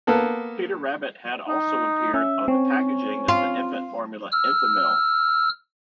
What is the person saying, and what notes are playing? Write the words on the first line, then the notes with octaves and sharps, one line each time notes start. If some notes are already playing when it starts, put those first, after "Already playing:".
Peter Rabbit had also appeared on the packaging of the infant formula Enfamil.
A#3 B3 A4
D#4
C#4 E5
C4 C#4
F4
E6 F6